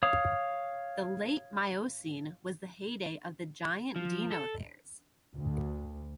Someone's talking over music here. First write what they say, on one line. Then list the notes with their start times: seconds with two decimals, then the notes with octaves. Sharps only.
The late Miocene was the heyday of the giant deinotheres.
0.03 C#5 F5 D#6
3.96 F3
4.31 A4
5.34 D2